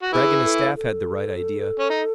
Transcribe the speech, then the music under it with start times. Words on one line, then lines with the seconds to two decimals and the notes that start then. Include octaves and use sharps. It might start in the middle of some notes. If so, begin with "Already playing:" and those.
Bragg and his staff had the right idea.
0.03 F#4
0.13 E3 E4 G#4
0.44 A4
0.76 A4
1.80 C#4
1.90 D#4